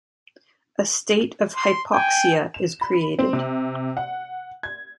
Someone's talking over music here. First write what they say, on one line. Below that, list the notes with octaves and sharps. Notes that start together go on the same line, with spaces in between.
A state of hypoxia is created.
C6
G5 G#5
E7
B5
C4
C3
F#5
G#6